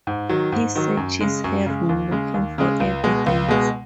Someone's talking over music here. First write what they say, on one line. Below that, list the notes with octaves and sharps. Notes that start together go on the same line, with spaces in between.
He searches her room looking for evidence.
G#2
D#3 F#3
G#2
D#3 F#3
F#2
C#3 G#3
F#2
C#3 G#3
D#2
C#3 G#3
D#2
C#3 G#3
C#2
B2 G#3
C#2
B2 G#3